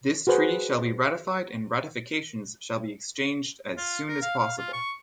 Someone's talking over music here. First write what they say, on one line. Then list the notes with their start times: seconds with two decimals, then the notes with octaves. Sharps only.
This Treaty shall be ratified and ratifications shall be exchanged as soon as possible.
0.27 F#4 G#4 B4 C5
3.78 F4
4.08 A#4
4.22 F5
4.38 F5
4.58 F4
4.73 C#6